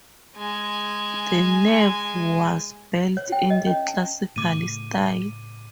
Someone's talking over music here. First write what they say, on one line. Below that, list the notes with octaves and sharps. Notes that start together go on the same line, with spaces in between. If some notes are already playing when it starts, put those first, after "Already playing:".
The nave was built in the classical style.
G#3 G#5
C#5
G5
D#5
C#4
A5
A2 C#3 A3 D6 D#7